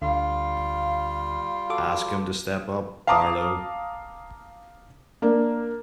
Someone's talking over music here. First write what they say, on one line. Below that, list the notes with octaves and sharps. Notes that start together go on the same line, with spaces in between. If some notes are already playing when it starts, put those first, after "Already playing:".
Ask him to step up, Barlow.
D2 D3 G3 F4 F5
F#4 A4 D6
F5 A5 A#5 D6 D#6
A#3 D4